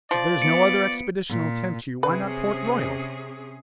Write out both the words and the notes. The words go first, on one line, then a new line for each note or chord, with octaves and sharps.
If there's no other expedition'll tempt you, why not Port Royal?
F3 D5
B3 C#7 D7
A#2
C3 C#4 G#4 B4